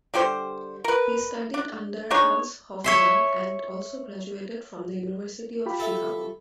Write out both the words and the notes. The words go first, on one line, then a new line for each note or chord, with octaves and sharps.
He studied under Hans Hofmann, and also graduated from the University of Chicago.
D3 G3 G4 C5
A#4 B4
D4
D4 D#4 G#4 C#5
C#5 E5 C6
F4 G4 B5
A4 E5